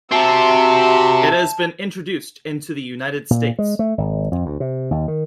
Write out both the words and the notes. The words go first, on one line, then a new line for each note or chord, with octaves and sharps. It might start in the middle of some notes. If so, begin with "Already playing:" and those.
It has been introduced into the United States.
C3 C4 F#4 E5 A5
A#2
G#3
A3
G#1
F2
D2
C3
D#2
D#3